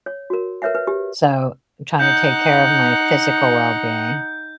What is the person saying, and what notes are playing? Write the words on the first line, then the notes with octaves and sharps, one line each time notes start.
so I'm trying to take care of my physical wellbeing.
C#5
F#4 A#4
A#4 B4 C#5 E5 F#5
B4
G4
D#4 F#5 G6